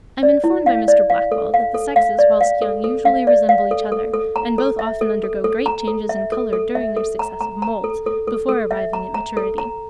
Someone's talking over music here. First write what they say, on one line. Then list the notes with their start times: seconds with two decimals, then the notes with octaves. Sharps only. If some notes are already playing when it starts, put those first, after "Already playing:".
I am informed by Mr. Blackwall that the sexes whilst young usually resemble each other; and both often undergo great changes in colour during their successive moults, before arriving at maturity.
0.23 D5
0.44 E4
0.66 F5
0.88 D5
1.10 F5
1.32 A4
1.54 F5
1.75 A4
1.96 F5
2.19 D5
2.41 F5
2.62 A4
2.84 A4
3.05 F5
3.27 D5
3.49 F5
3.71 A4
3.92 A4
4.14 A4
4.36 A#5
4.58 A4
4.79 E5
5.01 A4
5.24 A4
5.44 A4
5.66 A#5
5.88 A4
6.09 E5
6.32 A4
6.53 A4
6.75 E5
6.97 A4
7.19 A#5
7.41 A#5
7.62 A#5
7.84 A4
8.06 A4
8.28 A4
8.49 A4
8.71 E5
8.93 A#5
9.14 A#5
9.37 A4
9.58 A#5